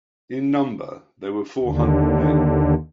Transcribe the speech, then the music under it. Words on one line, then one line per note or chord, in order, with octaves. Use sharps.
In number they were four hundred men.
D#2 D3